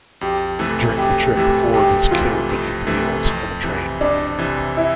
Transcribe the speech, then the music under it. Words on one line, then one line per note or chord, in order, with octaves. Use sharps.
During the trip, Ford was killed beneath the wheels of a train.
F2 G4
C3 E3 A3
F2 G4
C3 E3 A3 G4
F2 G4
C3 E3 A3 F4
F2
C3 E3 A3
F2
C3 E3
F2 D4
C3 E3
E4